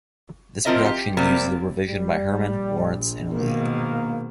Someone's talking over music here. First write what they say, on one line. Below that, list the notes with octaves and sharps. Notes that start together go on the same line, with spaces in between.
This production used the revision by Herman, Lawrence and Lee.
F3 C4 F4 A#4 D#5 E5
G4
C3 G3 A#3 C4
G3
A#1
G#2 B2 D#3 A#3